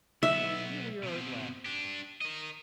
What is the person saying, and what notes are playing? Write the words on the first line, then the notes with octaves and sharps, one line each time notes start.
'Here we are at last.
B1 B3 E5
B2 C4
D4 G4
A#4 D#5